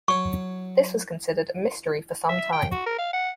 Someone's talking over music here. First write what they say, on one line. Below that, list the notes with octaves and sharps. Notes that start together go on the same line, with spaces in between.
This was considered a mystery for some time.
F#3 C#5 C#6
E5
G5
F#4
A#4
F5
F#5